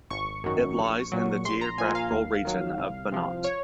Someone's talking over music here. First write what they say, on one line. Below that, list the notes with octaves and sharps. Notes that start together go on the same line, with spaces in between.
It lies in the geographical region of Banat.
G#1 C#6
F#2 D#3 F#3
A#1
A#2 F#3
A#1 C6
A#5
A#2 F3 G#5
F5
D#2
D#3 F#3
C2
C3 F3
C#5